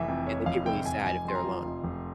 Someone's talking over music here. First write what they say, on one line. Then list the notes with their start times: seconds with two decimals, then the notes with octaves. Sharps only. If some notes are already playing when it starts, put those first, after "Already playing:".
Yeah, they get really sad if they're alone,
Already playing: F1 E3 E5
0.08 F2
0.27 F2 C#5
0.46 F1 F5
0.66 F1 G5
0.85 F1 G#5
1.06 F1 G#5
1.25 F2 C6
1.35 A#5
1.44 F3
1.65 F1
1.84 F1